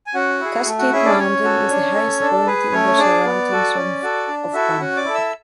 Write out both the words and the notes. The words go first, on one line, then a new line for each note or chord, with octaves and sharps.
Cascade Mountain is the highest point in the surroundings of Banff.
G#5
C#4 F#4 F#5
E4 G#4
A3
F#4 F#5
C#4 E4 G#4 E5
D4 D5
C#4 C#5
F#4 A4
D4
A4
D4 A4
G#4 B4
A3 C#4 C#5
D4 G#4 D5
B3
F#4 A4
C#4
F#4 A4
D4
E4 F#4 A4 E5
C#4 F#4 F#5
D5 D6
E4 A4
E5 E6